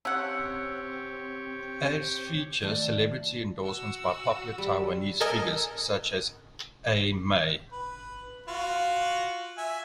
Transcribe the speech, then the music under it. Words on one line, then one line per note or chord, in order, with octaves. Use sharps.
Ads feature celebrity endorsements by popular Taiwanese figures such as A-Mei.
C4 C#4 G4 C#5 F#5 E6 C#7
D#3 A3 D5 A5
F#4 E6
G3
A4 A#4 D#5 G#5
B4
F4 F#4
E5 G#5